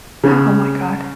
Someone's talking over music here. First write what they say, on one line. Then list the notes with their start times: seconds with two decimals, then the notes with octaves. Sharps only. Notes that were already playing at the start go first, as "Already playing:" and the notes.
Oh my god.
0.24 C#3